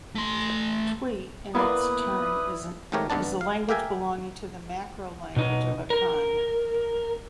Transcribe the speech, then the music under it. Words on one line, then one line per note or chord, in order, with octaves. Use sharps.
Twi in its turn is a language belonging to the macrolanguage of Akan.
A3 C6
A#3 B3 E4 B4 D5 D#6
G#1 G#2 A3 G4 A#4 C#5
G#1 G2 B3 D4 A5
F5
A#3 G4 A#4 E5 G5 G#5
B2 D#4
A#4